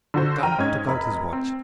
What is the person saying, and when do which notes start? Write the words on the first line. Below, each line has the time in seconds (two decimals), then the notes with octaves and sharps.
The count took out his watch.
0.14 D3 F#4 C5
0.43 G5 A#5 F6 D#7
0.58 G#2 C#4 D#4 G#6
0.87 F1 B5
1.33 C4